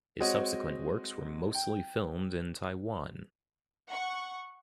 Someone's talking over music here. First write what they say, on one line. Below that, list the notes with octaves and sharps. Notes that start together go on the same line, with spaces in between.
His subsequent works were mostly filmed in Taiwan.
G#3 C4 F#4 C#5 D#5
G5
F#5 C#6